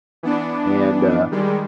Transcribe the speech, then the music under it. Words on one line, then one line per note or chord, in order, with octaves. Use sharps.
and, uh
E3 B3 D4
D#3 G3 G#3